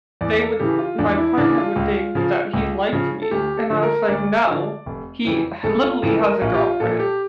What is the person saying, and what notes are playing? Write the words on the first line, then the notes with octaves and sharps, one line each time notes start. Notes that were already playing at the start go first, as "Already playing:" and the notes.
they would my partner would think that he liked me, and I was like, "No, he h literally has a girlfriend."
E2 D5
A4
C#3 E3 G4
F4
E2 D4
E4
C#3 E3 D4
F4
C#2
C#3 F3
C#2
C#3 F3
A4
D2 G4
A4
D3 F3
A#4
D2 D5
D3 F3
F1
F2 C#3 E3
F1 A4
F4
F2 C#3 E3 A4
A#4
A#1 F4
G4
F4
A#2 F3 A4
G4